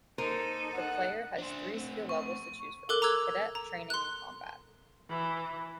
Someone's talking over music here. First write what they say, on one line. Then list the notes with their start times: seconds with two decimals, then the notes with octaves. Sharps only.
The player has three skill levels to choose from: Cadet, Training, and Combat.
0.18 A#3 D#4 A4 A#4 C5 D#7
0.73 F#5
1.38 D4 C5
1.73 A3 C4
2.09 C#6
2.89 A4 A#4 D6 F#6 G7
3.02 A#5 D6 E6 F#6 G#6
3.55 A#5
3.90 C6 F#6
5.09 E3